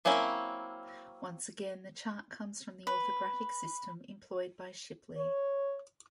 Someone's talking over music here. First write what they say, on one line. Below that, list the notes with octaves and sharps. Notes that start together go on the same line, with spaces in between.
Once again, the chart comes from the orthographic system employed by Shipley.
F#3 A#3 C4 C#4 E4
B4
C#5